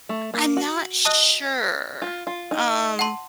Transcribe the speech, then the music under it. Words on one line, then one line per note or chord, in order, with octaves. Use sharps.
I'm not sure, um.
A3
A#3
F#4
D#5 A5 D#6 F#6
F4
F4
D#4
F#5 A5 C6